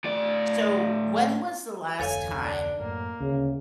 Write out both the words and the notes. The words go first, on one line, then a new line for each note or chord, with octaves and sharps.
So, when was the last time
A2 D5
F1 D2 A4 C#5 F5 G#5
D4
F#2 A2 A#3
D2 C#3